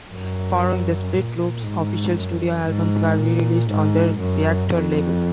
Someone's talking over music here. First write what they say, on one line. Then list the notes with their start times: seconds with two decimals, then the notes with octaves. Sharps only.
Following the split Loop's official studio albums were re-released on their Reactor label.
0.10 F#2
1.13 A#2
1.64 G#2
2.16 F#2
2.66 G#2
3.18 A#2
3.69 G#2
4.20 F#2
4.71 F2